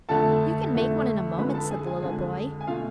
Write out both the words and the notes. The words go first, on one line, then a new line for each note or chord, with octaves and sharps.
"You can make one in a moment," said the little boy.
F2 D3 A3 A4 A5
F2 D3 A3
F2 D3 G#3 B4 B5
A4 A5
G#4 G#5
G#4 G#5
F2 D3 G#3
G#5
B2 A3 F4 F5